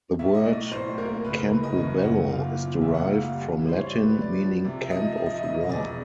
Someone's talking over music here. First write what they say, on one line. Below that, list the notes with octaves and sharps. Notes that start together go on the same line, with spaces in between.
The word Campobello is derived from Latin, meaning "camp of war".
B1 E5
D#5
A2 D5
A2 C5
A#3 A#4
F#1 B4
A#4
F#1 B4
D#5
F#2
F#1 F#5
A#2 F5
A#2
A#1 E5
F#5
A#2 F5
F5
G3
E3
C5
C#5
G3 D5
B4
G3
D5
F3
C3
E5
F3 D#5
E5
F3
D#5
E5
E1 D#5
D#5
E1 D5